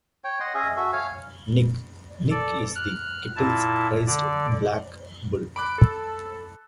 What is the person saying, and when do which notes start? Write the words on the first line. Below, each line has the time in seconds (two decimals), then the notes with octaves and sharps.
Nick: Nick is the Kettles' prized black bull.
0.24 C#5 G5
0.40 D#5 F#5 C6
0.55 C#4 G#4 D#5 E5
0.77 F#4 A4 E5
0.93 C#5 F5 G#5
2.30 A4 D5
2.75 F6 F#6
3.36 A#2 E4 A5
4.07 D3 D5
5.56 B5 D6 F#6 D7
5.78 A4